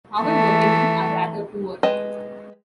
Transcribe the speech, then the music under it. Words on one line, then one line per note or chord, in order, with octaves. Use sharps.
However, many are rather poor.
E3 A3
G#3 B4 D#5 G5 A5